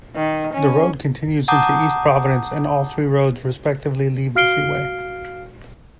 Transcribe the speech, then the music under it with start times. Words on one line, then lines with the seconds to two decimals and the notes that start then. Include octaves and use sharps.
The road continues into East Providence and all three roads respectively leave the freeway.
0.16 D#3
0.53 C#4
1.48 F#5 A5 A#5 D6 D#6 G6
4.35 F#4 F5 F6 C7 D7 G7